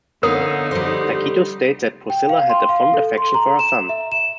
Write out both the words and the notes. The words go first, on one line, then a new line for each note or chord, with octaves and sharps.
Tacitus states that Procilla had a fond affection for her son.
D3 B3 D#4 A#4 C#5 F5 D#6
G3 C5
G5
F5
C6
F5
A4
C6
A#5
E7
E5
E7